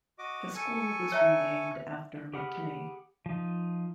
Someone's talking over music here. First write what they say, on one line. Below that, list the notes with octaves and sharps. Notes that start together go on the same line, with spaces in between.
The school was renamed after McKinney.
F#4 D#5 D6
A4 G#5 C#6
C#5 E5 A#5
G4 G#4 F#5 B5 F6
F3 D#4